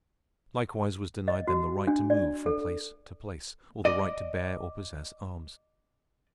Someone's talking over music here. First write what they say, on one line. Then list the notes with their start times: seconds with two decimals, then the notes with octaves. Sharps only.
Likewise was denied them the right to move from place to place, or the right to bear or possess arms.
1.28 D#5
1.47 F#4
1.87 D4
2.10 D5
2.46 A4
3.85 D5 D#5